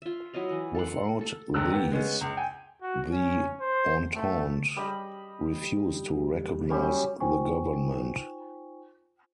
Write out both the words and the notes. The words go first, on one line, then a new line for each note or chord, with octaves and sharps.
Without these, the Entente refused to recognise the government.
F4 E5
F#3 E4 D#5 F5
E3
A4 A#4 F5 F#5
A4
G1 D#2 G#2 D4 E6 F#6
B3 G4
G#3 B3 C#4
C#2
G5 G#5
F#4
C#4
C5
A3
G3 D#5 B5
F#2 G3 C#4
D#4 F4 C5 G5 G#5 C#6